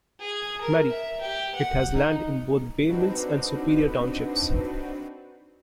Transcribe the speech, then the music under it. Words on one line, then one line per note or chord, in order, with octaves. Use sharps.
Marie; it has land in both Bay Mills and Superior townships.
G#4
A#4
E5
G4
F#5
D#4
C4 D4 D#4 F#4 B4